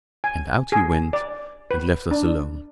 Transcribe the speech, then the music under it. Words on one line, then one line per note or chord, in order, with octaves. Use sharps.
And out he went, and left us alone.
G#5
G#4
D5
B4
D4